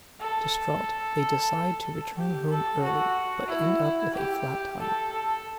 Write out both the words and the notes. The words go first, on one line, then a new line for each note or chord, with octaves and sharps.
Distraught, they decide to return home early, but end up with a flat tire.
A4
G4
A4
F#4
E4
G4
A4
A4